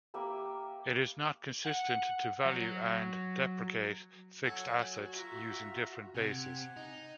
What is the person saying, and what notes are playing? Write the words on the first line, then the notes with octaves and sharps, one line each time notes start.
It is not consistent to value and depreciate fixed assets using different bases.
A#3 G4 E5 B5
F#5
F#3
F#3 F#4 A4 G#5
F4 E5 A#5
C3 F#5 G#5
D#4